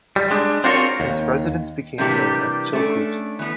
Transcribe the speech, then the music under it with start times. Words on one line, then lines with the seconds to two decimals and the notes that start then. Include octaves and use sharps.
Its residents became known as "Chilkoot".
0.16 G3
0.31 G#3 D4
0.64 C4 D4 F4 F#4 A#4 C#5
1.00 D#2
1.98 C3 E3 G3 A#3 D4 G4
2.73 A3 C#4 D4 A4
3.39 E3 B3